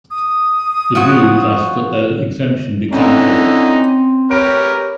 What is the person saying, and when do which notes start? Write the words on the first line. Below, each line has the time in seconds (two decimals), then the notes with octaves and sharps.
The Druze asked that their exemption be canceled.
0.10 D#6
0.95 F3 F#3 F#4
2.92 D3 E3 C4 C#4 D#4
4.31 G4 A#4 B4 C#5 D7